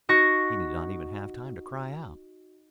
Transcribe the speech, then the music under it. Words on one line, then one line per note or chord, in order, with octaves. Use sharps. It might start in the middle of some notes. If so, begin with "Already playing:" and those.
He did not even have time to cry out.
D#4 F#4 C#6 A#6